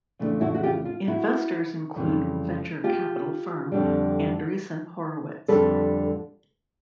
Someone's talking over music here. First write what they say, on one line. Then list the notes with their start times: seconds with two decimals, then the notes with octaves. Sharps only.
Investors include venture capital firm Andreessen Horowitz.
0.19 F2 C#3 E3 A3 D4
0.41 E4 F#4
0.55 F#4
0.63 F4 G4
0.85 F4
1.08 E4 F#4
1.96 F2 C#3 E3 G3
2.84 F4 G4
3.72 F2 D3 G3
5.48 F2 D3 G3 A4 B4